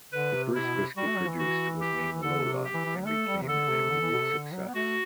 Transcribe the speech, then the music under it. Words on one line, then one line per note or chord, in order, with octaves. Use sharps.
The first biscuit produced was named "Lola" and became an immediate success.
D3 B4
C3
C3 E4
B2
C3
G3 F#4
A3
F#3
E3
F#4
G4
D3 A4
C3
G4
E3
E3
F#3
A3 A4
G3
C3
D3 A4
C3
D3
E3
B2
C3
D3
F#3
B3
A3 F#4